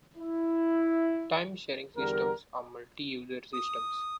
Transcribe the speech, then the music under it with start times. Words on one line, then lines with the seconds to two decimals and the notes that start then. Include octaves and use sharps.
Time-sharing systems are multi-user systems.
0.18 E4
1.96 E2 D3 G3 A#4
3.53 D#6